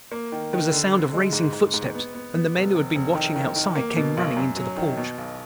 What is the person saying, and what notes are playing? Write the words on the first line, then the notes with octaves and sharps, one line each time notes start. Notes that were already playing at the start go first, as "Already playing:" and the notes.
There was a sound of racing footsteps and the men who had been watching outside came running into the porch.
A#3
D#3
D#3
D3
D2
G#3
G#2
G#2
G#2
B3
B3
B3
F1
F1
F1
D#3
D#3
D#3
A#3
B2
B1
F#2
F#3
D#3
B2
B1